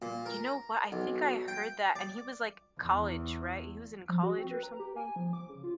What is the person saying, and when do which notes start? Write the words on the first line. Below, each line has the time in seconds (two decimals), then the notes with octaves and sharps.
You know what? I think I heard that, and he was, like, college, right? He was in college or something.
0.02 A#2
0.26 A#4
0.92 B1
1.48 G5
1.96 D5
2.80 E2
4.09 F3
4.23 F#4
4.38 C4
4.51 B4
4.63 A#5
4.79 G4
4.96 G#5
5.16 F3
5.33 D6
5.49 C#3
5.63 F4